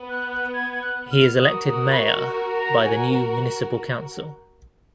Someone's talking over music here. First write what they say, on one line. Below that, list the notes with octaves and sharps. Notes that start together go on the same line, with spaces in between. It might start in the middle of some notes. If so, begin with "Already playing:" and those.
He is elected mayor by the new municipal council.
Already playing: B3
F#6
F#6
G#6
G#6
F#6
F6
F#4 A#4 D#6
D#6
B5
C#6
C#6
A#5
G#5